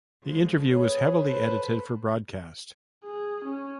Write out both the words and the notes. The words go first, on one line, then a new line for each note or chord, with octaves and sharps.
The interview was heavily edited for broadcast.
D3 F3 G#3
B3 G#4 C#5
A4 B4 C5
G#4
C#4